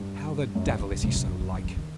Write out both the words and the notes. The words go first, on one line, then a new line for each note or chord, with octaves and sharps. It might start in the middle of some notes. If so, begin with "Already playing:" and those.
How the devil is he so like?
Already playing: G2
F#2
G2 D3
D#3
C#3
F#2 C3
C3
D3
D#3
D#3
E3
D#3